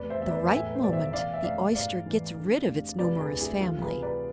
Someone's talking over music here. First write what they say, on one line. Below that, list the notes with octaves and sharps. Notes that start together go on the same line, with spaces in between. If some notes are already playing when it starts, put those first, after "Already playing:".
At the right moment, the Oyster gets rid of its numerous family.
Already playing: F1 E2 B4 D5
C5 E5
E2 E5
B4 D5
A2 E5 G#5
B4
C5
B1 D5
C5 E5
E5
E3 D5 F5
E5
F1 D5 F5
G#2 D5 F5
E3
D3
F1
C3 B4 D5
G#4 B4
D2
E4 G#4
E3 F4 A4
G#4 B4
C3
B4 D5